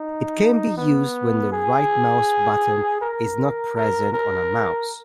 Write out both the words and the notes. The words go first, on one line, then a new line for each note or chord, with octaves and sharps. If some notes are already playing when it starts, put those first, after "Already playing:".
It can be used when the right-mouse button is not present on a mouse.
Already playing: D#4
B3
G#4
A#4
A#4
A#4